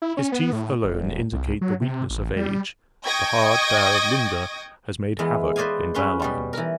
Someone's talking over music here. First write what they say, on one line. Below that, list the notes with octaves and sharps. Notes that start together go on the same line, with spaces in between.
His teeth alone indicate the weakness of age; the hard fare of Lunda has made havoc in their lines.
E4
C#4
B3
A2
E1
C2
F#3
C3
A1
G3
D#5 G5 C#6 D#6 G#6 A#6
E2 G#3 B3
B4 C5 D5 D#5 F5 G#5
F#2 C#4 B4 F5 C6
B2 G3 C#4
E3 A#4